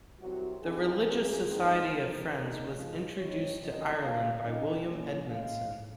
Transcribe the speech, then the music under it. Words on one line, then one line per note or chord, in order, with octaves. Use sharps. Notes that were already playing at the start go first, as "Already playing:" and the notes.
The Religious Society of Friends was introduced to Ireland by William Edmundson.
C2 C3 F#3 F#4
F2 C#3 F3 C4 D#4 G#4
F2 C3 F#3 A#3 C#4 G#4
G#2 F#3 C4 D#4
C2 A#2 F3 A#4
D#2 C#3 G#3 D#4
G#2 F3 G#3
G#2 F3 C4 D#4 C#5
C2 A#2 F#3 C#4 D#5
A#2 F#3 C#4 F5
F#2 D#3 G#3 C4 D#4 D#5
A#2 G#3 C#4
A#2 G#3 C#4 F5